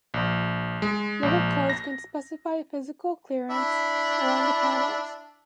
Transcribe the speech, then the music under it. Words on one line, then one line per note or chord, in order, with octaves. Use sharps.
Local codes can specify physical clearance around the panels.
A#1
G#3
A#1
A#6
D4 E4